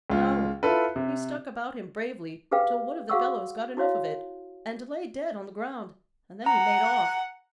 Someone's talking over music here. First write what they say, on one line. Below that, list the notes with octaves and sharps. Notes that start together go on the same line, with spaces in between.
"No; he struck about him bravely, till one of the fellows got enough of it, and lay dead on the ground; and then he made off."
C#2 F4
E4 F4 A4 B4
C3
G4 G#4 B4 F5 G5
F#4 G#4 F5 F#5 C#6 E6
E4 F#4 C#5 F5
F#5 A#5